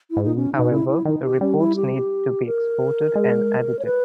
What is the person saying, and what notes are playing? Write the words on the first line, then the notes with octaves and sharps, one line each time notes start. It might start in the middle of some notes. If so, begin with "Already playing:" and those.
However, the reports need to be exported and edited.
E4
G#2
A#2 D#4
B2 C#4
D#4
B2
C#3 E4
E4
D#3 D#4
G4
G3 C#4
E4
G4
A#4
G#3
C#5
B4